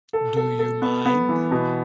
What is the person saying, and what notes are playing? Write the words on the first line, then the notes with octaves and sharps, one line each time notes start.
Do - you - mind?
A4
A4
A4
B3
B3
E3
B2